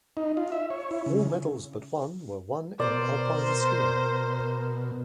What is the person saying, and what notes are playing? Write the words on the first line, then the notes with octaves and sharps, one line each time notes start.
All medals but one were won in alpine skiing.
D#4
F4
E5
C#5
E4
C#3
B2 A#4 C5 D5